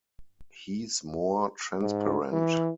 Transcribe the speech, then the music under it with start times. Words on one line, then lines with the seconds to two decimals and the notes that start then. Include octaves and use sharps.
He's more transparent!
1.82 G#2
2.32 E3